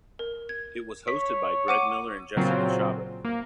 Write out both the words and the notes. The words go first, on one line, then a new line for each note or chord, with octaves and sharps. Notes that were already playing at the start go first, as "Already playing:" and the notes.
It was hosted by Greg Miller and Jessica Chobot.
A#4
G#6
C#5 B6
F#5 D6 D#7
A#2 C#3 F#3 C4 C#4 F4
A#3